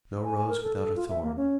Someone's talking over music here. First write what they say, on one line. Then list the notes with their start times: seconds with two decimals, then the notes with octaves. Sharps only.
No rose without a thorn.
0.25 G#5
0.38 G#5
0.49 A#4
0.63 A4
0.78 A4
0.96 F4
1.09 E5
1.23 A#3
1.37 C#4